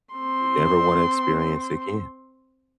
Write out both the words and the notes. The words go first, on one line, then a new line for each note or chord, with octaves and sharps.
you never wanna experience again.
C4 C6